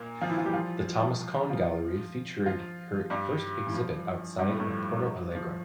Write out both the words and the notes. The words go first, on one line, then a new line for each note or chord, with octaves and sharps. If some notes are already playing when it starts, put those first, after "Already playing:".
The Thomas Cohn gallery featured her first exhibit outside of Porto Alegre.
Already playing: A#2 A#3
F3 F4
E3 E4
F3 F4
G3 G4
F3 F4
F3 F4
F3 F4
G2 G3
E3
F3
G2 G3
A2 A3
A2 A3
F3
F3